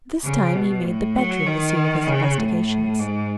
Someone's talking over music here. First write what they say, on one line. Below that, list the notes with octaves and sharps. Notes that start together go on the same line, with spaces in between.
This time he made the bedroom the scene of his investigations.
C#3
B2
A2
F#3
D#3
C#3
A2
G#2